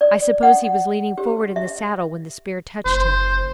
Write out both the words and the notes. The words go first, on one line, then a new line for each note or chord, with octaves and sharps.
I suppose he was leaning forward in the saddle when the spear touched him.
D5
F#5
G4
E5
F#1 C5